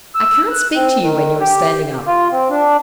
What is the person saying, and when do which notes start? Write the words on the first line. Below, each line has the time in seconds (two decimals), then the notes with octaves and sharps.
I can't speak to you when you are standing up.
0.15 E6
0.50 F#6
0.75 C4
1.02 D#3
1.40 G4
2.07 F4
2.32 C4
2.50 D4